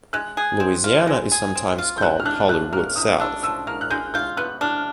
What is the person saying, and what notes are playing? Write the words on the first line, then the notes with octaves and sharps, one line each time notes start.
Louisiana is sometimes called "Hollywood South".
G#3 F#6
G#4
C4
F4
G#3
G#4
C4
F4
G6
C3 F#6
F6
D4 F#6
F3 F#6
A#3 F6
C3 D#6
D4 E6
F3 E6
A#3 F6
F#6
G#3 G6
F4 G6
B3 F#6
D4 F6